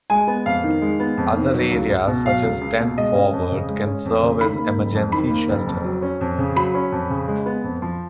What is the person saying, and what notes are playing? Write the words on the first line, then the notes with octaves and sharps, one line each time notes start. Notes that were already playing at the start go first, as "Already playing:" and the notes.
Other areas, such as Ten Forward, can serve as emergency shelters.
G#3 G#5
B3
F2 F5
D#3
G#3
B3
F2
D#3
F#3
C#2
C#2
B2
F#3 F5
C#2
C#2
B2
G#3 D#5
C#4
F2
C#3
G#3
C#4
F2
C#3
D#3 B5
A#3
F#1
F2
D#3 B5
A#3
F#1
F2
F#3
C#4
F2
C#3
F#3 B5
C#4
F2
C#3
G#3
B3
F2
F3